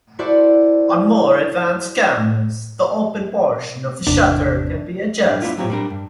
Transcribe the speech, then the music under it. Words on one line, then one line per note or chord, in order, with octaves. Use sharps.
On more advanced cameras the open portion of the shutter can be adjusted.
E4 F#4 A4 C5 D5
G#1 E2 C3 D4
G3 D4
B3 C4 D4 E4 F4
F#3 C4 F4 G4 C#5
G3 D4 A#4
G2